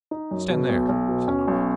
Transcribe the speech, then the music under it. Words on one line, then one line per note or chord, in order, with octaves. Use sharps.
"Stand there," said I.
D#4
F#2
B2
B1
B1
B2
C#4
B1